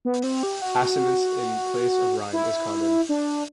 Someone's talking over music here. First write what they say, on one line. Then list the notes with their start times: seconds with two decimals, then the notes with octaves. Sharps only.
Assonance in place of rhyme is common.
0.05 B3
0.23 C4
0.43 G4
0.62 F#4
2.33 E4
3.09 D4